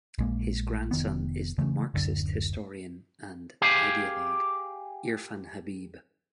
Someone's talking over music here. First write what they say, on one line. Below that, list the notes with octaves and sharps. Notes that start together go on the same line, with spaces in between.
His grandson is the Marxist historian and ideologue Irfan Habib.
A#1 G#3 A#3
F1 D#3 B3
C#3 E3 A3
D1 F#2 D3
G4 G#4 F5